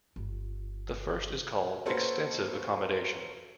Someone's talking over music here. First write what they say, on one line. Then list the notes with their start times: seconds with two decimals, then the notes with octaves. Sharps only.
The first is called extensive accommodation.
0.16 G1 F4
1.86 A#3 C#4 F#4 A4 B4 C5